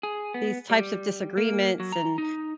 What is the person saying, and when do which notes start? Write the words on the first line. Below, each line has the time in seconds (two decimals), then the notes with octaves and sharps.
these types of disagreements, and
0.03 G#4
0.34 B3
0.70 G3
1.37 A#3
1.80 F#3
1.92 A#5
2.18 D#4